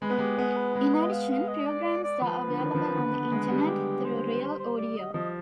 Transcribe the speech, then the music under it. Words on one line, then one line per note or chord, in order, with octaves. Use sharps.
In addition, programs are available on the Internet through RealAudio.
G#3 B4
B3
G#3 G4
B3 G#4
B4
G#3 B4
D#5
F5
F5
D#5
D5
D5
D5
F3 B4
D3
D#3
F3
D#3
D3
B3
G#3
G3
G4
C5
C5
C5
D5
D#5
F3 D#5